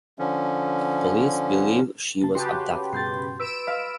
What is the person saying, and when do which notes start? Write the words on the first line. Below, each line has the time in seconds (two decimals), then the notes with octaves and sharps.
Police believe she was abducted.
0.19 D3 F3 C#4
2.22 C#3 A#3 A5
2.35 C#3 F#4 G4 B4 A5 C6
2.93 G2 B2 C6 G6 A6
3.40 B4 E6 D7 E7
3.67 D#5 F5 B5